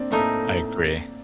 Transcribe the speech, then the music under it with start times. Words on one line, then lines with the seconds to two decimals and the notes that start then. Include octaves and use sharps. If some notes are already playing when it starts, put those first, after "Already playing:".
I agree.
Already playing: A#3 C4 D4
0.11 A2 A3 A#3 D#4